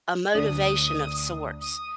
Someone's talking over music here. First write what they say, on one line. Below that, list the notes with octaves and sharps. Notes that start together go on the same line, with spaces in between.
a motivation of sorts,
D2 D4 D5 D#6
D#6